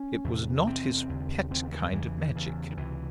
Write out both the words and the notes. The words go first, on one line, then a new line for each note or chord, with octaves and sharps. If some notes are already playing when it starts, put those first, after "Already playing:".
It was not his pet kind of magic.
Already playing: C#4
E2 C3
E2 C3 C4
D#2 C#3
D#2 C#3 C4
E3
E2 C#3 E3
E2 C#3
D#3
C#2 C3 E3